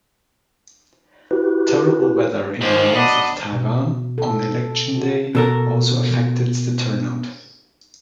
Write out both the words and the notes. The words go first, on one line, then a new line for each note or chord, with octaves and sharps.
Terrible weather in the north of Taiwan on election day also affected the turnout.
E4 F#4 G4 B4
D#2 D#3 F3 G#3
F#3 B3 D4 D#5
B2
A4
F#4
B2 A4 A#4